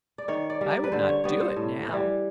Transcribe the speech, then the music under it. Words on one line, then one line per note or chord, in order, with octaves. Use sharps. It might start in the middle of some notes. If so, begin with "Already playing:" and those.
I would not do it now.
D5
D#3 C#5
D5
G3 A#3
D5
B4
D3 C5
C#5
G3 B3 C#5
C5
A2
E3 G3